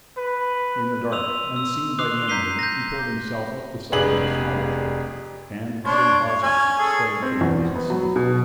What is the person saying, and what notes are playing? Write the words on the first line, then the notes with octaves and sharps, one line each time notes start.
In the dark, unseen by the enemy, he pulled himself up the side of a smaller ship, and, cutting hawsers, scudded for the open sea.
B4
C6 D#6 E6 D#7 F7
E6
C6 D6 D#6 F#6 C7 F7
A#5 G6 B6 C7 D#7 G7
G6 A#6
F1 D4 G#4 B4 F#7
D4 C5 C#5
C#5
C#4 G#5
G#4 A4
C4
E2
B3
F#3
B2